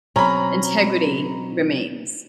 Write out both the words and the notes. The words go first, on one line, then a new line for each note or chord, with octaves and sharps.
integrity remains.
B2 F#3 C4 C#4 A#5 B5